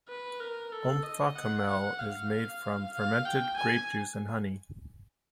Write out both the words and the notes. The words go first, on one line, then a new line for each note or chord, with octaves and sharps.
Omphacomel is made from fermented grape juice and honey.
B4
A#4
A4
D#5
F#5
F#5
F5
F5
G5
G#5